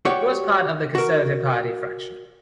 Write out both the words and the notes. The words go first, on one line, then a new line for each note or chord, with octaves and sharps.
He was part of the conservative party fraction.
F#4 G4 C#5 D5
F#4 A#4